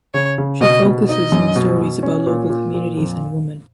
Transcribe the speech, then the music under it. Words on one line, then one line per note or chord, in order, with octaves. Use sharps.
She focuses on stories about local communities and women.
C#3 C#5
C#3
B2 D#5
B2
D#4 D#5
F#2
B2
B2
C#4
A#2
A#2
A#2
F2